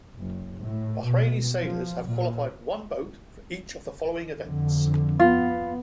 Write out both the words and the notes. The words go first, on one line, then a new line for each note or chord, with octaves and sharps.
Bahraini sailors have qualified one boat for each of the following events.
F#1
A2
B2
F3
A#2
F2 D3
B3 F4